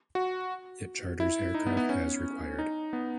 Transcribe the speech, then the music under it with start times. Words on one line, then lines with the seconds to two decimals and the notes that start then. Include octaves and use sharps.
It charters aircraft as required.
0.15 F#4
1.20 E4
1.54 D#4
1.67 B3
1.77 B3
1.89 C#4
2.59 D#4
2.93 B3